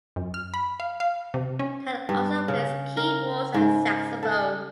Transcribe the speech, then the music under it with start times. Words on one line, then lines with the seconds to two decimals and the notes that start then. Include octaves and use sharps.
Ted also plays keyboards and saxophone.
0.16 F#2
0.34 F6
0.54 B5
0.80 F5
1.00 F5
1.34 C3
1.59 C#4
2.09 G2
2.48 C#3
2.97 A#4
3.54 G#2
4.23 A4